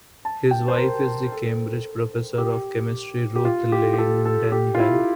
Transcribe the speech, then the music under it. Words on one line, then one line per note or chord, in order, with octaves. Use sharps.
His wife is the Cambridge Professor of Chemistry Ruth Lynden-Bell.
A5
G5
C5
A#4
A4
G4
G4
F4
G4
G4
A4
A4
G4
F4
E4